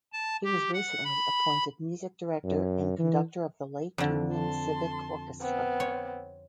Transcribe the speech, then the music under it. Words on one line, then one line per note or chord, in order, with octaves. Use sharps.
He was recently appointed Music Director and Conductor of the Lake Union Civic Orchestra.
A5
G4
F#5
B5
F#2
E3
F2 D3
A5 C6
B3 C4
C#5